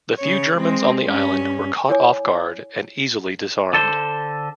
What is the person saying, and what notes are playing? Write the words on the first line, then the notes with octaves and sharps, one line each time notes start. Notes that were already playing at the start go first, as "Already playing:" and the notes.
The few Germans on the island were caught off guard and easily disarmed.
C#3 C#5
G#3 C4
G2 C#4
E4 C#5 G#5 D6 D#6
D3 A4 C5